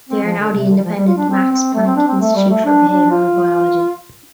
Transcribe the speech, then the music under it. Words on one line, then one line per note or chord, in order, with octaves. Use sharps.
They are now the independent Max Planck Institute for Behavioural Biology.
C4
F3
D3
C3
D3
G3
F3
G3
F4
D4
C4
C4
A3
C4
D4
C4
A3
G3
A3
D4
D4
F4